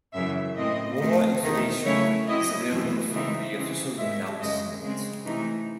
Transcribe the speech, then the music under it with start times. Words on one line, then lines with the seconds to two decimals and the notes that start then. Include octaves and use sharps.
More information is available from the official announcement.
0.14 F#2 C#3 E3 E5
0.56 A2 E3 A3 C4 D#5
0.99 D#3 A3 C4
1.41 E2 D#3 A3 D#4
1.83 C#3 F#3 A3 C#4 E4 C#5
2.26 C3 F#3 C4 E4 D#5
2.69 F#2 E3 A3 C4 E4
3.11 C#3 E3 G#3 C4 D#4 E5
3.54 C#3 E3 C4
3.97 G#2 D#3 G#3 E5
4.39 F#2 C#3 G#3 C#4 D#5
4.82 C#3 G#3 C4
5.24 C3 E3 A3 D#4